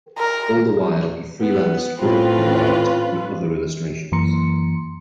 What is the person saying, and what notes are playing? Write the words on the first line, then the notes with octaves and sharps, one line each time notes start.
All the while he freelanced book-cover art and other illustrations.
A#4
B3
A2 C4 C#4 F4 B4
F#2 E3 A#3 A#5 C6 C#7